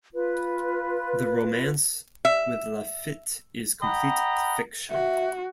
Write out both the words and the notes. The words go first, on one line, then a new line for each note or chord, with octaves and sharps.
The romance with Lafitte is complete fiction.
F4 B4
E5
D#5 F#5 G5 A#5 B5
F#4 E5